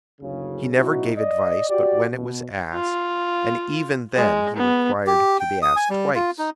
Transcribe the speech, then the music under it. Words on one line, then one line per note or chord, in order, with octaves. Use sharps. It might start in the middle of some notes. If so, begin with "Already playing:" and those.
He never gave advice but when it was asked, and even then he required to be asked twice.
F#1 D2 C#3
B2 F#3 D#4 E4 F#4
D5 D#5
F#4 G4 D5
B2
F4
G#3
B3
G4
G5
D#6
G#5
G3
F4
D#4